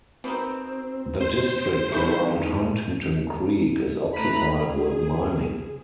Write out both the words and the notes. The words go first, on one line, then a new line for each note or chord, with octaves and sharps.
The district around Huntington Creek is occupied with mining.
B2 D#3 C4
C5
D#3 G3 E4 B4 G5 C#6
A3 B4 A#5 B5
G#4